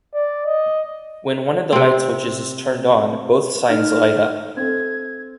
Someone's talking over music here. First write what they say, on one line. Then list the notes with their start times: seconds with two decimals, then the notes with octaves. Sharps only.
When one of the light switches is turned on, both signs light up.
0.14 D5
0.46 D#5
1.72 C3 C4
3.70 D#4 F6
4.57 C4 A4 G#6